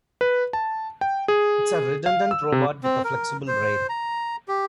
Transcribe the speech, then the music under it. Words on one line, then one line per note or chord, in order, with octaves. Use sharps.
It is a redundant robot with a flexible rail.
B4
A5
G5
G#4
F5
E6
C3
C4
A#4
C5
A#5
G4